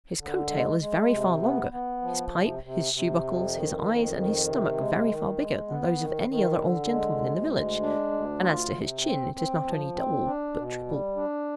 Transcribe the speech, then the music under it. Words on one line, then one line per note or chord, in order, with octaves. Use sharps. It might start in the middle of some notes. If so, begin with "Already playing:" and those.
His coat-tail is very far longer--his pipe, his shoe--buckles, his eyes, and his stomach, very far bigger--than those of any other old gentleman in the village; and as to his chin, it is not only double, but triple.
D3
G#3
G#3
C3
B3
B3
F3
C3
C3
C3
F2
D#3
F2
D#3
C3
G#3
D#3
G#3
B3
D#3
D#3
D3
G#3
D2
G#3
D4
D2
F4
C3
C4
C4
F3
C4
D4
B2
G3
D4